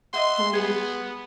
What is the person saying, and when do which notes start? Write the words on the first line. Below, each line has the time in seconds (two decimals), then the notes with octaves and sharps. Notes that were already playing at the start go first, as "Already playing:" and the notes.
and I would
0.13 D#5 E5 F#5 C6
0.53 B3 G#4